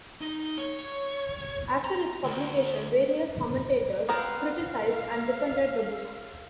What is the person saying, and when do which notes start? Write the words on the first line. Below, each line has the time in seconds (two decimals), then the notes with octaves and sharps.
After its publication, various commentators criticized and defended the book.
0.21 D#4
0.58 C#5
1.84 A#5
2.24 D2
4.09 B3 C4 A#4 F5